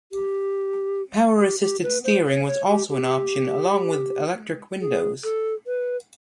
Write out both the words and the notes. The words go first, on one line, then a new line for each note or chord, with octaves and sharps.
Power assisted steering was also an option along with electric windows.
G4
G4
G4
B4
C5
C#5
C#5
G4
G4
G#4
A4
B4